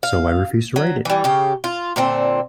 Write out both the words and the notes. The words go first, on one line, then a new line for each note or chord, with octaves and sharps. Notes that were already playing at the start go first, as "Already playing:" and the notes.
So I refused to write it.
F5
F#3
E3 G3
C#3 G4
F4
A#2 D3 C4